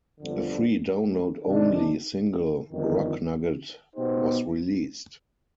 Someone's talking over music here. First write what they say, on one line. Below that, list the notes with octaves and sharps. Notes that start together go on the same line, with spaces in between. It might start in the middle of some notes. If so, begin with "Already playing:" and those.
A free download-only single "Rock Nugget" was released.
G1 F2 D3
C3 D#3 G#3 D4
G1 F2 D#3
B2 B3 D#4 G4 C5